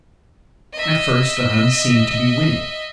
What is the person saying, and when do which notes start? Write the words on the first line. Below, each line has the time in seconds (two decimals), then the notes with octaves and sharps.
At first the Huns seemed to be winning.
0.73 D#5 E5